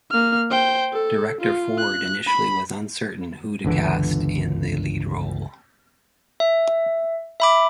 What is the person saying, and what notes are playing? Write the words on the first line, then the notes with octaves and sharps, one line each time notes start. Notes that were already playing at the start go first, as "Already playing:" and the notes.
Director Ford initially was uncertain who to cast in the lead role.
A#3 F6
C5 G5
A4
F4
F#6
B5
G1 C#2 D3 E3
E5
E5 B5 D6